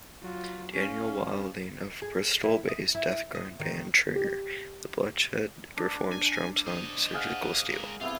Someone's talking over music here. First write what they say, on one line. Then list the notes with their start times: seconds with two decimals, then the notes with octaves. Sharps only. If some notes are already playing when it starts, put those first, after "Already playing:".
Daniel Wilding of Bristol-based deathgrind band Trigger the Bloodshed performs drums on "Surgical Steel".
0.22 F#3 F4
0.73 C#4 F5
2.02 G#4
2.43 E4
2.68 D#5
2.95 E4
3.35 D#5
3.60 D#3
4.15 G4
5.77 D4
6.12 G#5
6.66 C5 D#5
7.14 G#4 F5 F#5
7.69 G#3 A#4
8.01 C3 B3 E4 F4 F5